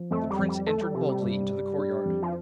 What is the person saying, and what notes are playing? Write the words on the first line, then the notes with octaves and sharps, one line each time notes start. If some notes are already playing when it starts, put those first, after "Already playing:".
The Prince entered boldly into the courtyard.
Already playing: F3
F2 A3
G3
F2
G3
A3 A4
G3
C3 F3
G3
G2
G2
D4
F2
F3